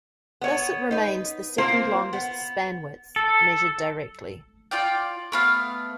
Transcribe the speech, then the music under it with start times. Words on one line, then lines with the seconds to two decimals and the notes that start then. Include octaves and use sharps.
Thus it remains the second longest span width, measured directly.
0.41 B3 C#5
0.91 D#4 B4
1.58 A#3 C4 F4 C5
2.13 B3
3.16 A4
4.71 F4 D5 G5
5.32 A3 B3 F5